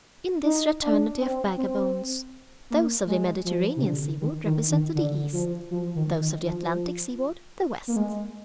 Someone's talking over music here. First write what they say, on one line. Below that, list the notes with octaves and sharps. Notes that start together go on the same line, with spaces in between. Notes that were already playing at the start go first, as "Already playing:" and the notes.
In this fraternity of vagabonds, those of the Mediterranean seaboard represented the East, those of the Atlantic seaboard the West.
D#4
D4
C4
C4
A#3
G#3
F3
C3
D3
D#3
D#3
D#3
D3
F3
F3
D#3
D#3
F3
A#3
G#3